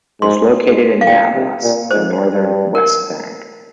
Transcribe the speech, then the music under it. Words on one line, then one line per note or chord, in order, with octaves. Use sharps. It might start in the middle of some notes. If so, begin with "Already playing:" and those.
It is located in Nablus, in the northern West Bank.
G#2 C6
G#2
F5
A#2 G5
C3
A#2
G#2 C5
G2
A#4